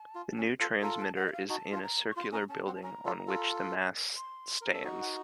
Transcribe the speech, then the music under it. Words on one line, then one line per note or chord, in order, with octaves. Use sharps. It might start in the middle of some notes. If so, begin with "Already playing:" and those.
The new transmitter is in a circular building on which the mast stands.
Already playing: A5
F4
C#4
F4 A4
F4 A4 A#5
A5
F#5
D#5
F5
D#4 F#4 A5
F4
A5
A#5
C#6
F4 C6
C#4 A#5
C#4 A5
C4 F#5
A5
C#4 A#5
F4 A4
F4 A4
C6
A#4
A4
D#4 F#4 C#6
F#5